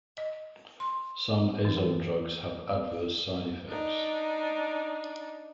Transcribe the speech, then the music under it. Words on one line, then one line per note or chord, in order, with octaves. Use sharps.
Some azole drugs have adverse side-effects.
D#5
C6
E3
D4 D#4